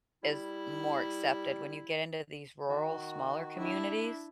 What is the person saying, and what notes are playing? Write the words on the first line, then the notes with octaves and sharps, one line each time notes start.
is more accepted. When you get into these rural smaller communities
G3 E4
D#3 F#4
D4 E4